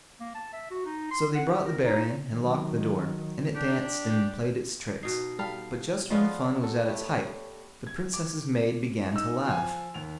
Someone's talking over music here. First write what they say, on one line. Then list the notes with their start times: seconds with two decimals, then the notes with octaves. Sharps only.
So they brought the bear in, and locked the door, and it danced and played its tricks; but just when the fun was at its height, the Princess's maid began to laugh.
0.20 A#3
0.35 A5
0.53 E5
0.71 F#4
0.86 D#4
1.11 C6
1.35 F#5
1.48 G4
1.66 A#4
1.85 D#4
2.31 D#3 F#3
3.55 D4 G4
5.03 B2 D#4 C7
5.39 G3 A4 F5 G5 B5
6.10 F3 B3 C#4 F4 B4 D5 D#5
6.64 F#3 A4
6.86 G3 A3 C#5
7.87 G#6
8.14 D6
9.12 D#4 D#5 E6
9.46 F3 G#5
9.94 D#2 F7